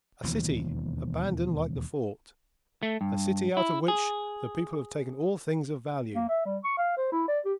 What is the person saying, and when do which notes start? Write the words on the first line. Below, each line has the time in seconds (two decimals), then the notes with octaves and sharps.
A city, abandoned like the fort; a city out of which the people have taken all things of value.
0.23 E1 D#2 F3
2.83 A3
3.01 G2
3.57 E4
3.88 G#4
6.15 A#3
6.29 E5
6.45 G3
6.64 C#6
6.78 F5
6.97 C5
7.12 E4
7.28 D5
7.45 G4